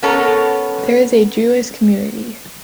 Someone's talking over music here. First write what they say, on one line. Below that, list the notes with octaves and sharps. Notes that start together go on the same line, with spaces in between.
There is a Jewish community.
B3 C#4 A4 A#4 C#5